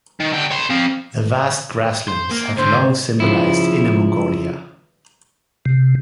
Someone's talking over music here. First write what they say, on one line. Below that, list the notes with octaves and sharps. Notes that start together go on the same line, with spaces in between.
The vast grasslands have long symbolised Inner Mongolia.
D#3
D3 G5
C#5 C6
C4 F5
C5
A#3
A2 D3 C5
C#3 F3 E4
C3